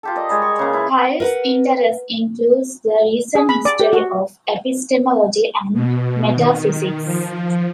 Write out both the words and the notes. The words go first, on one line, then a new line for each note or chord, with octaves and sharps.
Pyle's interest includes the recent history of epistemology and metaphysics.
F4 G4 A4
A#4 D5 D#5
G3 G#3 G#5
C#6
C#3 A#3
E4 B4
A#4 B4 F#5
G#4
B5
D5
G4
F#4
B2
D#3
F3